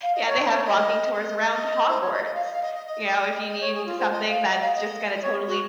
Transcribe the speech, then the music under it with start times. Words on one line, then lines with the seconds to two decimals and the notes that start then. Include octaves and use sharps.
Yeah, they have walking tours around Hogwarts. You know, if you need something that's just gonna totally
0.02 F5
0.14 D#5
0.26 C#5
0.39 C5
0.52 C#5
0.64 D#5
1.13 D#5
1.50 D#5
1.87 C5
2.00 C#5
2.12 D#5
2.25 D#5
2.34 F5
2.43 D#5
2.53 F5
2.62 D#5
2.74 D#5
2.86 D#5
3.48 D#5
3.60 C#5
3.73 G#4
3.85 F4
3.98 C5
4.11 D#5
4.28 F5
4.48 D#5
4.60 F5
4.74 D#5
5.22 C#5
5.46 F#4